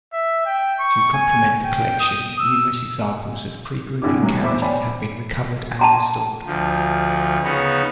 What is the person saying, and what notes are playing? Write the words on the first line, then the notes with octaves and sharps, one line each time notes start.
To complement the collection, numerous examples of pre-grouping carriages have been recovered and restored.
E5
G5
C#6
G#5
G5
D#6
E6
G#1 D3 G3 E4 D6
A2 E3 F#3
E2 C5 E5 B5 D6
C#5 D5 G5 G#5 B5
A5 A#5 C6
D2 F3
C#3 B3 D#4